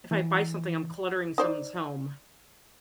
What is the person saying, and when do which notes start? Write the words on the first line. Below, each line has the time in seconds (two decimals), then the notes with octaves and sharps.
if I buy something, I'm cluttering someone's home.
0.11 E3
1.38 D#4 C5 D5